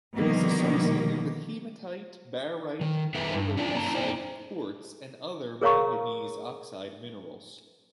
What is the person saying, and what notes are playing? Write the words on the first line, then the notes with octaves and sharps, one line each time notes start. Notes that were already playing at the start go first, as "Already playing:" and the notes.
It is associated with hematite, barite, pyrolusite, quartz and other manganese oxide minerals.
B2 D3 D#3 F3 G3 A#3
D#3
D#3 D#4 G#4 A4 B4 E5
G2
C#4 D4 F4 D5
A#3 C#4 C#5 A5 A#5
D#4 C5 D5
G#4 A#4 C#5 F5 A#5 C#6